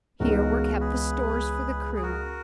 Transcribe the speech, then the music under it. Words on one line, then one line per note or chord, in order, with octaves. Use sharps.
Here were kept the stores for the crew.
C#2 C#3 E3 B3 D#4 F#4 A#4
G#4 B4
G#4
F#4 A#4